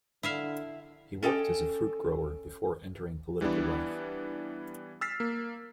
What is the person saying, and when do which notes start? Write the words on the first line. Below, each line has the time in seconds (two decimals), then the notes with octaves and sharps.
He worked as a fruit grower before entering political life.
0.23 D3 E4 E5 F5
1.23 C#4 A4 D#5 G5
3.41 E3 G3 B3 D4 E4
5.01 E6 F6 A6 B6 C7
5.20 A#3